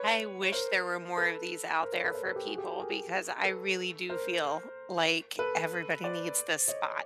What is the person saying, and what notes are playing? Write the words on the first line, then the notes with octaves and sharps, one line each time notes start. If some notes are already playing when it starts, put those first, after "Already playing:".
I wish there were more of these out there for people because I really do feel like everybody needs this spot.
Already playing: B4 C#5
C#5
A#4 C5
A4 B4
A#4 C5
B4 C#5
A4 B4
A#4 C5
A4 B4
G4 A4
F#4 G#4
G4 A4
G#4 A#4
A4 B4
A#4 C5
A4 B4
C5 D5
C#5 D#5